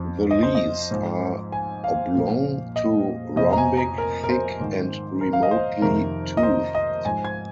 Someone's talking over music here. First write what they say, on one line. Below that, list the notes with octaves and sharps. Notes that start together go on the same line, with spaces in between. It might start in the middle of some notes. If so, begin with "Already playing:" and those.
The leaves are oblong to rhombic, thick, and remotely toothed.
Already playing: F2 F3
D#5
C5
D#5
G#2 F3
G#5
F5
A#2 F3
D#5
F2 C3 F3 D#5
A#5
G#5
A#5
A#4
A#4
C5
G#2 D#3
A#4
F5
D#5
C5
F2 C3 D#3 A#4
D#5
C5
D#5
G#2 F3 G#5
G#6